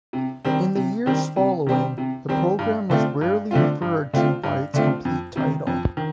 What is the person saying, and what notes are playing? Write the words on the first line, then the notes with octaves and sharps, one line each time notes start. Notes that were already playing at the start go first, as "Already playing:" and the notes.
In the years following, the program was rarely referred to by its complete title.
C3
D#3 G3 C4
C3
D#3 G3 C4
C3
D#3 G3 C4
C3
D#3 G3 C4
G2
D3 A3 C4 F4
G2
D3 A3 C4 F4
G2
D3 A3 C4 F4
G2
D3 A3 C4 F4
F2
C3 D#3
F2
D#3